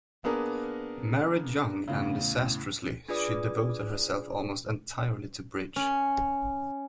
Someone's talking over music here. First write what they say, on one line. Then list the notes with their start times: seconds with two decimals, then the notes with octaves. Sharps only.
Married young, and disastrously, she devoted herself almost entirely to bridge.
0.24 A#3 B3 D4 G#4 A#4
1.88 E2 A2 C#3
3.08 D4 F4 G#4 B4 D5 D#6
5.76 C#4